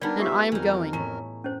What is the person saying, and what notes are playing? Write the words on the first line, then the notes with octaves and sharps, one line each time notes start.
And I am going.
G3 B3 D4 D#4 A#4 D5
F4 G4 G#4 E5
F2 E3 D#4 A#4
A2 C#4 A#5
F#2 C#4 C5